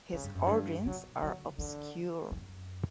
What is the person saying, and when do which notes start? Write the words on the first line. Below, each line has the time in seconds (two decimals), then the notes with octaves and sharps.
His origins are obscure.
0.13 A2 C#3
0.24 G2
0.35 F#2
0.47 G2 D3
0.85 B2 F#3
1.22 D3 F#3
1.58 D3 E3
2.31 F#2